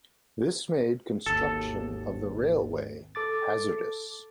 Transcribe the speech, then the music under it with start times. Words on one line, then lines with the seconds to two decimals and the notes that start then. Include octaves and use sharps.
This made construction of the railway hazardous.
1.26 G#1 D#2 A4
3.15 A4 D6 A6